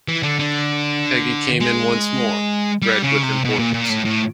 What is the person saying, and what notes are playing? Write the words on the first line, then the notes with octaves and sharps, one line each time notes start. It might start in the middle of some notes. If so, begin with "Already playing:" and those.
Peggy came in once more, red with importance.
E3
D3
D3
G#3
G3
C#3
C3
B2
A#2
A#2
A2
A2